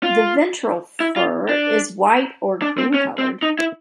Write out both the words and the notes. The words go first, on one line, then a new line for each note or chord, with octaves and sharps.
The ventral fur is white or cream-colored.
F4
E4
F4
D4
D4
C4
C#4
C4
D#4
E4